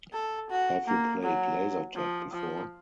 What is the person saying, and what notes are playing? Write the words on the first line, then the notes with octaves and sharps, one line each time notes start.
Have you played laser-tag before?
A4
F#4
A#3
F#3
F3
F3